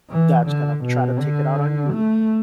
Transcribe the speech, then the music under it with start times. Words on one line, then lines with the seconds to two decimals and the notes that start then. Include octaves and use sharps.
that's gonna try to take it out on you
0.10 E3
0.47 D3
0.84 B2
1.20 D3
1.94 A3